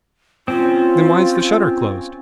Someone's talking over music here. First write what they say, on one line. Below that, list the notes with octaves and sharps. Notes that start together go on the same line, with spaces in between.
"Then why's the shutter closed?"
C4 C#4 F4